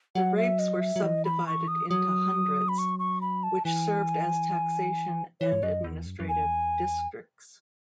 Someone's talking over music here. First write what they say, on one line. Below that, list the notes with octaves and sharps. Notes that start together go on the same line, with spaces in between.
The rapes were sub-divided into hundreds, which served as taxation and administrative districts.
F#3 F#5
E5
D#5
E5
F#3
E3 D#5
B5
C#6
D#6
F#3 D#6
B5
C#6
C#6
B5
A5
E3 G#5
E3 C#5
G#2
F#2 D#5
E2
F#2
F#2
E2 G#5